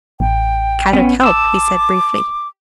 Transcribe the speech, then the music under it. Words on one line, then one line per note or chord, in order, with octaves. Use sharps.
"Kadok help," he said briefly.
A1 G5
B3 C#4
A5 D6 E6